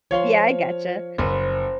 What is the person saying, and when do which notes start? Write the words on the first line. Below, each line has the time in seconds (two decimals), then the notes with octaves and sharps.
Yeah, I gotcha.
0.11 F3 C#5 F5 C6
1.18 F#1 B4 C5